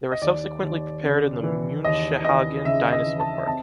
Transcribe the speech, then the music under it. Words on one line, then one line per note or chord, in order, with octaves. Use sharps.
They were subsequently prepared in the Münchehagen Dinosaur Park.
D#5
D#2 D5
D#2
C#3
E3
D#2 D#5
D#2 D#5
C#3 E5
D#5
E3
A5
C4 A5